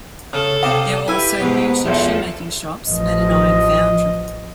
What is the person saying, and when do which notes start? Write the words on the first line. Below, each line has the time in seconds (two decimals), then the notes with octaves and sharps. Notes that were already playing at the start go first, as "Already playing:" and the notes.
There were also boot and shoemaking shops and an iron foundry.
0.33 C#3 A4 F6
0.63 C3 D#5 F5 G5 D6
1.08 E4 G4 B4 G#5 E6
1.40 G#2 B2
1.86 B1 E2 F3 A4 E5
2.88 A1 F3 D#5